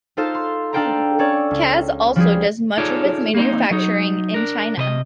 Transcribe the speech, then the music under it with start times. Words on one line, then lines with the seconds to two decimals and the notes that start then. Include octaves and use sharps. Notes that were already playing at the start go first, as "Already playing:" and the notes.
Kaz also does much of its manufacturing in China.
0.17 D#4 F4 A4 C5 F5 A5
0.34 C6
0.73 D4 A4 F5 G5 A5 A#5
1.19 C#4 A4 C#5 D5
1.51 C#2
2.16 F3 G3 G4 G#4
2.78 D#4 F4 G#4 A4 C#5 D5
3.35 A#3 C4 D#4
3.71 F#3 D#4
4.34 D4 A#4
4.77 C3 B4 D#5